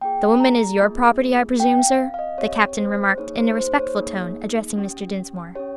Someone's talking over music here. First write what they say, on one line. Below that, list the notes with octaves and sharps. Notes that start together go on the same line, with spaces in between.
"The woman is your property, I presume, sir?" the captain remarked in a respectful tone, addressing Mr. Dinsmore.
A#3 F4 G#4 G5
A#5
A#3 F4 G#4
C4 G4 G5
F5
F5
F5
D#5
C4 G4 C#5
C5
A#3 D#4 G#4 C#5
C5
C5
C#5
A#3 D#4 G#4
C#4 G4
C#4 G4 C#5